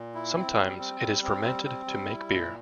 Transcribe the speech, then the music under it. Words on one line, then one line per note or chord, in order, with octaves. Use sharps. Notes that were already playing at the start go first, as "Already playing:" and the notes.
Sometimes it is fermented to make beer.
Already playing: A#2
E4
C4
G3
C4
G3
C4
G3
C4
G3
E4
A#2